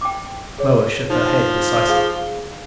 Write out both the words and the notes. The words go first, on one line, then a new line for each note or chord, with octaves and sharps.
Moa shook her head decisively.
G5 D6
G#4 C#5
F3 D#4 C5
G#4 F5